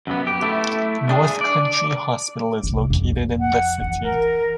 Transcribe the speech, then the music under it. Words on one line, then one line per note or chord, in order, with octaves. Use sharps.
North Country Hospital is located in the city.
F#2 B3
G4
A3 E4
D4 G#4
D5
C2
F2
F#5
E3
A#4